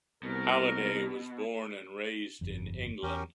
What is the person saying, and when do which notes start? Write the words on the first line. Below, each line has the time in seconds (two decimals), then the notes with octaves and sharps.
Halliday was born and raised in England.
0.23 C2 B2 A#4
2.41 G1 F2
3.03 E2 C#4 G4 A#4